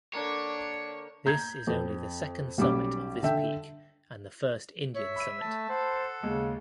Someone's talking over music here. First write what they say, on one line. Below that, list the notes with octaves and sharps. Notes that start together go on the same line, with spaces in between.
This is only the second summit of this peak and first Indian summit.
D3 A#3 D4 C#5
A#5 G6 G#6
F2
B1 G3 C#4 D6
D3 E5 G5
C#5 E5
B5 E6 D#7
A3 A5
A4 C5 F#5
D#2 C#3 G#3